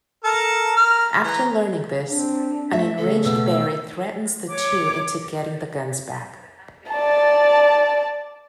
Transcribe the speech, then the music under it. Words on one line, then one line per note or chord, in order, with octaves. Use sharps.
After learning this, an enraged Barry threatens the two into getting the guns back.
A4 A#4 A5
A#4 F6
E3 A#5
C4 D4
A3 E5
C#3 A3 A4
B2 E6
C#5 D6
D5 A5